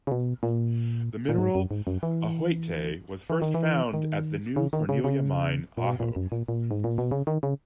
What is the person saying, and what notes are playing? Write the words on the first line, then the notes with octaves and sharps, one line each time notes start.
The mineral ajoite was first found at the New Cornelia Mine, Ajo.
C#3
B2
A#2
A#2
G#2
F#2
G#2
F#2
E3
E3
D#3
E3
D#3
C#3
D#3
C#3
C#3
A#2
B2
A#2
F#2
A#2
A#2
G#2
A#2
B2
C#3
D#3
C#3